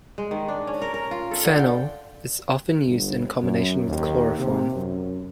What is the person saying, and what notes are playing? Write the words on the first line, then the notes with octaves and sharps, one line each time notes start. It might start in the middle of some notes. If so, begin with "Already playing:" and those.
Phenol is often used in combination with chloroform.
G#3
D#3
D4
C#4
A#4
A#4
F4
A4
D3
G5
G1
F#2
D#2
C3
F#2